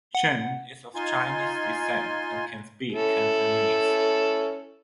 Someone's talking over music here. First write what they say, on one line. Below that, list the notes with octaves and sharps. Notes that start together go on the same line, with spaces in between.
Shen is of Chinese descent and can speak Cantonese.
F#5
D#4 F4 G#5 C6
C#4 E4 A4